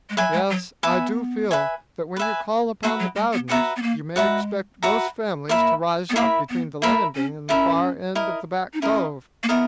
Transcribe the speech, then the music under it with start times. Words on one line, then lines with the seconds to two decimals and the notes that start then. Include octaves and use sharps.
Yes, I do feel that when you call upon the Bowdens you may expect most families to rise up between the Landing and the far end of the Back Cove.
0.10 G#3
0.17 F#3 B4 E5 G#5
0.33 G#3
0.51 F#3
0.83 B3 B4 E5 G#5
1.51 B4 E5 G#5
2.16 B4 E5 G#5
2.83 A#3 F#4 B4 E5 A#5
3.00 F#3
3.16 G#3
3.33 B3
3.49 B3 F#4 B4 E5 A#5
3.76 B3
3.82 A#3
4.16 G#3 F#4 B4 E5 A#5
4.83 F#4 B4 E5 A#5
5.49 A#3 E4 A#4 E5 B5
6.10 B3
6.16 A#3 E4 A#4 E5 B5
6.50 B3
6.82 A#3 E4 A#4 E5 B5
7.15 C#4
7.49 C#4 E4 A#4 E5 B5
8.15 E4 A#4 D#5
8.74 D#4
8.81 C#4 E4 A#4 D#5
9.43 A#3
9.49 B3 E4 A#4 D#5